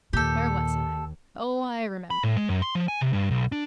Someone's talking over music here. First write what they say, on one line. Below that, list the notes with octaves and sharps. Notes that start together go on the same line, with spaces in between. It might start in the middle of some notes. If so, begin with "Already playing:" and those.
Where was I? Oh, I remember!
D#2 A#2 G4 A4
B5
A2
G#3
F#2
C6
F3
G#5
C3
G2
B1
D4